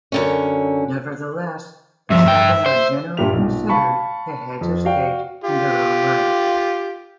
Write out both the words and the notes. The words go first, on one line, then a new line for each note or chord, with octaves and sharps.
Nevertheless, the seven are generally considered the heads of state in their own right.
F#2 D3 C#4
G2 F3 E5
G2 G5
C5
G2 A#2 G4 E5 F7
B1 A#2
F5 A5 B5 C#6
F2
F#4 D5 F5 G5
F4 G4